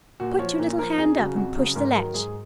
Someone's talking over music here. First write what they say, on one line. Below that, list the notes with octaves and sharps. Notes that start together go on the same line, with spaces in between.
Put your little hand up and push the latch.
A#2 F#4
F3 C#5
A#2
F3 A#4
F2 G#4
C#3 F#3 F#4
F2 F#4
C#3 F#3 G#4
G#2 A#4
D#3 F#3
G#2 G#4